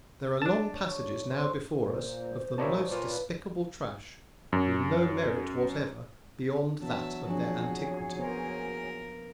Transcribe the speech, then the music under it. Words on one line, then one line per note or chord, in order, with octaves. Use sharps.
There are long passages now before us of the most despicable trash, with no merit whatever beyond that of their antiquity..
D4 A5
C#5
C5
A#2 C5
A#2 D#4 E4 G4 A#4 C#5 D5 A5
A#2 F4 B4
F#2
E3 F#3 B3 D4 E5 A5
F3 C4 D4 F#4 G#4 C#5 G#5
A#3 B3 A#4 C5